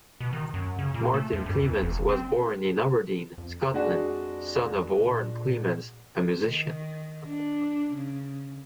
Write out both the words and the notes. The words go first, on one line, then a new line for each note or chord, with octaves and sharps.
Martin Clemens was born in Aberdeen, Scotland, son of Warren Clemens, a musician.
B2
D#3
F#2
C#3
A#2
A3
F2
G2
E2
F1
C4
F2
G#3 D4 F#4
A#2
D#3
D4
C#3